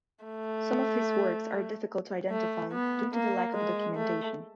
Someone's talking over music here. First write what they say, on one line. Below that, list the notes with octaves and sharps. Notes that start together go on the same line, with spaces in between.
Some of his works are difficult to identify, due to the lack of documentation.
A3
A3
B3
A#3
G#3
A3